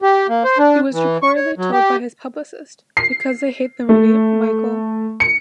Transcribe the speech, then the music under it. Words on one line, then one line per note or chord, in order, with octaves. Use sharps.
He was reportedly told by his publicist, Because they hate the movie, Michael.
G4
A#3
C5
D4
E3
C#6
C#5
F#3
G4
C7
A3
C#7